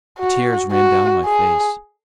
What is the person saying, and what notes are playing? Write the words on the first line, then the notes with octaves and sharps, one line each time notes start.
The tears ran down my face.
F#4
F#4
G#4